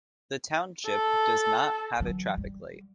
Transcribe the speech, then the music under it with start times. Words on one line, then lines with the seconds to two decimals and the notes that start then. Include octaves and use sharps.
The township does not have a traffic light.
0.87 A4
2.00 E3 F#3
2.37 G3